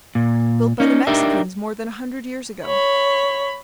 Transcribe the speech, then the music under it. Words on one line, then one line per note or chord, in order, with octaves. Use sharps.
"Built by the Mexicans more than a hundred years ago."
A#2
C#4 D#4
D4 D#4 G4 A#4 E5
C#5 B5